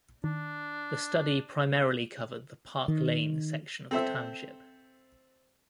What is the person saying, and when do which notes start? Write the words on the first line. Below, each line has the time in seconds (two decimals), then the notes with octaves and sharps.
The study primarily covered the Park Layne section of the township.
0.24 D#3 D4
2.88 D#3
3.91 C4 A4 C5 E5